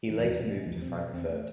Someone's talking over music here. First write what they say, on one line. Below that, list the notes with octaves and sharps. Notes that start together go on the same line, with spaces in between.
He later moved to Frankfurt.
E3
E2 F3
B2 G#3
G#3
E2 F3
C4
B2
B3
E2 C4
A3